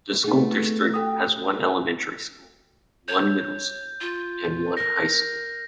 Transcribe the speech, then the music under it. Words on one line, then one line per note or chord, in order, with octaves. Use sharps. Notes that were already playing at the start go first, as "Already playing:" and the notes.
The school district has one elementary school, one middle school, and one high school.
A3 B3 D#4 G#4
F#4 G4 A4 D#6
C#5 G6
F4
A#4 A#6